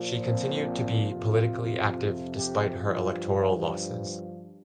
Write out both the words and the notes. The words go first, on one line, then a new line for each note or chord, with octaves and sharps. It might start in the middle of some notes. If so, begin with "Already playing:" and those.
She continued to be politically active despite her electoral losses.
Already playing: A#2 F3
C4
F2 C3 F3 F4
G4
G2 F3 F4